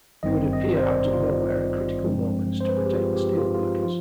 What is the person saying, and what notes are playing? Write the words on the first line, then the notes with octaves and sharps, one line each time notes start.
He would appear out of nowhere at critical moments to protect the steel workers.
G#1 G2 D#3 G3 C4 D#5
D#5
C5
D5
D#4
F4
G2 F3 G#3 C4
C5
B4
G#4
G4
F4
G4
F4
F4
D#4
F3 F4